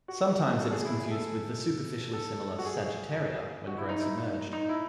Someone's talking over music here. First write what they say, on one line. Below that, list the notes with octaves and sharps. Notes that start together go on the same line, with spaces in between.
Sometimes it is confused with the superficially similar "Sagittaria" when grown submerged.
F#4
A4
G#4
E4
G#4
A4
A4
F#4
G#4
F#4
E4
D#4
E4
D#4
D#4
E4